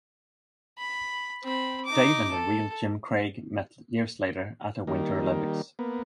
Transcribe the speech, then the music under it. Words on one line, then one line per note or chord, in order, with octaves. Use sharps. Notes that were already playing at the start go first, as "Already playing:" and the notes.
Dave and the real Jim Craig met years later at a Winter Olympics.
B5
C4 B5
D#4 D6
A4
D#3 G3 A#3
A#3 B3